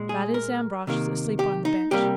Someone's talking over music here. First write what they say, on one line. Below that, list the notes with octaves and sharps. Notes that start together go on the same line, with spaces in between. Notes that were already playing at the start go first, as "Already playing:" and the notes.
That is Ambrosch, asleep on the bench.
Already playing: A#2 G#3
G#4
A#4
C3 D#3 A#3
G4
D#4
C3 G3 A#3 G4